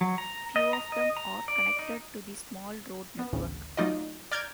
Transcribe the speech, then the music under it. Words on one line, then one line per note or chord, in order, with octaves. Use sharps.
Few of them are connected to the small road network.
F#3
A#5
D#5
A#5
D#5
A#5
D5
D#4
B3
A1 D2 A2 C#3
F#3 A3 D#4 F4 D5 D#5
D5 A#5 F6 G6 G#6 D7